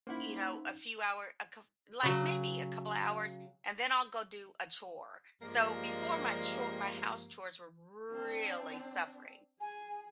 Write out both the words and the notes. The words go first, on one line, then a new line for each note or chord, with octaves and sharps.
you know, a few hour a coup like, maybe a couple of hours, and then I'll go do a chore. So before my chore my house chores were really suffering.
A#3 C#4 D#4 E4 C5 F#5
C#3 F#3
G2 F3 G3 G#3 A#3
C4 D4
G#4 G#5